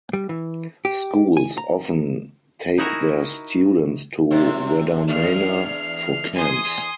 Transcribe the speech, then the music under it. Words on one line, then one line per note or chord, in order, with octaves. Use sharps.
Schools often take their students to Waddamana for camps.
G3
E3
G4
G#5
A#5
D#4 E4 F#4 A#4 G#5
F#2 C3 C4
E2 A3 D4 F6 C7
G#5 C6 D#6